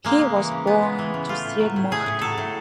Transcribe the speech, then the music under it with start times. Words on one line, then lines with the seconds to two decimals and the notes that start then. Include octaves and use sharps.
He was born to Syed Mohd.
0.05 G#3 A#3
0.21 C#3
0.36 E3
0.51 C#3
0.67 G#3 B3
0.83 C#3
0.99 E3
1.14 C#3
1.29 A3 F4
1.45 A2
1.60 F#3
1.76 A2
1.91 A3 G#4
2.06 A2
2.21 F#3 A4
2.38 A2